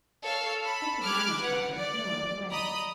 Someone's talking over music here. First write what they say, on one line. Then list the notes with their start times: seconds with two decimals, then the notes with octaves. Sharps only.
I could manage matters no other way.'
0.23 A4 C#5 F5
0.61 A4 B5
1.03 D6 F6 F#6 G#6
1.40 B4 F#5
1.74 D5
2.48 D#5 A#5 B5 D#6